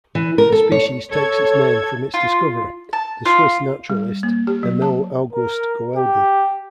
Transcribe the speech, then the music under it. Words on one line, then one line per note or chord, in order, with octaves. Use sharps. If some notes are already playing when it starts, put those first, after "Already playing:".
The species takes its name from its discoverer, the Swiss naturalist Emil August Goeldi.
E3
A#4
A4
C#5
A4 C#5 G#6
F4
A5
F4
G3
A#3
G4
F#3
A5
A#4
G4